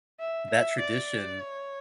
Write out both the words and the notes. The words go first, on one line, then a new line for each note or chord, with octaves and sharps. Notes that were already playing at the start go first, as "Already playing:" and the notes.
that tradition
E5
E5
D5
C#5